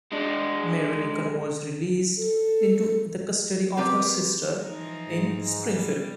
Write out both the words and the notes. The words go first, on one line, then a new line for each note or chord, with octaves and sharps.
Mary Lincoln was released into the custody of her sister in Springfield.
G#3 D4
A4
C4 G4 A#4 B4 D5
E3 F3 D#4
G#2
G3 B3